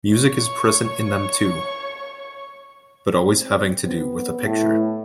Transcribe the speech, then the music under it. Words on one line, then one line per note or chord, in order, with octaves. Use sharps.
Music is present in them, too, but always having to do with a picture.
C#5 C#6
C4
B3
A2